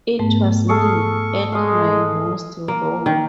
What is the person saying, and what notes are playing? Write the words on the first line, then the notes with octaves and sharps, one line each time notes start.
It was me at my most raw.
G#2 A3 B3
G#4 A4 F5 C#6
G#3 D#5 F5
A#3
D#3